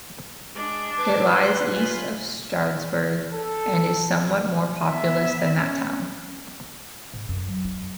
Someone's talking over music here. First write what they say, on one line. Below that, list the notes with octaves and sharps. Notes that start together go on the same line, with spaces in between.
It lies east of Stroudsburg and is somewhat more populous than that town.
G#3 D4
B4 A5 D6 G#6
F#5 C6
F4 G#5 B5 C6
A4
B3 E5
C#4
G#2
F#2
F#3
D#4
F2